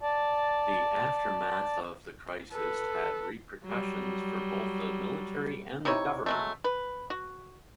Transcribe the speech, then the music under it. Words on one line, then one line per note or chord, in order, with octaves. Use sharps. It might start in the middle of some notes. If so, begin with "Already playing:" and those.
The aftermath of the crisis had repercussions for both the Military and the government.
D5 A5
A4 B4
F#3 G3
C3 D#4 E4 C#5
F#3 G#3 A3
B4
F#4